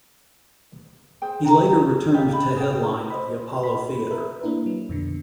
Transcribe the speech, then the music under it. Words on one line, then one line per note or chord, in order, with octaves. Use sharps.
He later returned to headline at the Apollo Theater.
G#4 C5 G5
E4 F#5 G5 A#5
G4 D#5 F5
B5
G#4 G5
C5 D#5 B5
B5
A#4 B4 E5
A#3 D4 E4 A#4 B4
F#3
F2 B2 D3